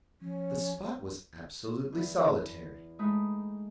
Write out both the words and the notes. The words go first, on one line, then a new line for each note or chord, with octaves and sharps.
The spot was absolutely solitary.
F3 C#4
E2 E4
G#3 A3 D#4 B5 D#6